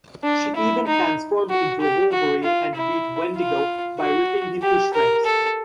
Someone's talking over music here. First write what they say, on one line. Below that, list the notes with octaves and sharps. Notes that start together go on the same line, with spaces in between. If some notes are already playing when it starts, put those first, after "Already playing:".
She even transformed into a wolverine and beat Wendigo by ripping him to shreds.
D4
E4
D#4
F#4
G4
F#4
F4
E4
F4
F#4
G4
A#4
A4